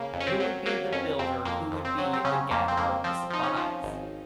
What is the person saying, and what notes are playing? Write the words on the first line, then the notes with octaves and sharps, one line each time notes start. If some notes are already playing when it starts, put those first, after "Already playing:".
who would be the builder, who would be the gatherer of the supplies?
Already playing: C#3 A#3
F2
C#4
C4
F#3
F#3 A#3
F2 C#4
F2 C4
F2 A#3
F2
C4
F#3
C4
C#3 C#4
F2 A#3
C4
F2 A#3
F3 C4
F3 D#4
C#4
F3
G#1